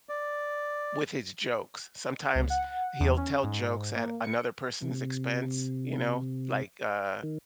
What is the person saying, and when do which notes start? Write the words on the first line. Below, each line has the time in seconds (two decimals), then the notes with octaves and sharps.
with his jokes. Sometimes he'll tell jokes at another person's expense, you know, like, uh,
0.09 D5
2.35 C#2
2.50 F#5
3.00 E2
3.17 C#4
3.43 G#2
3.95 A#3
4.24 C#7
4.82 C3
7.23 D#3